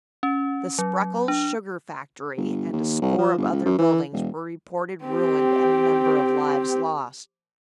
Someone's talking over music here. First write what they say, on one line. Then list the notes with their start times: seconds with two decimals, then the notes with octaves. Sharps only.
The Spreckels' sugar factory and a score of other buildings were reported ruined and a number of lives lost.
0.23 C#4
0.78 F#3
1.28 D4
2.37 G1
2.73 D#2
3.02 C2
3.18 F3
3.38 G1
3.52 C#2
3.65 F#2
3.78 E3
4.13 E1
5.04 C4 G4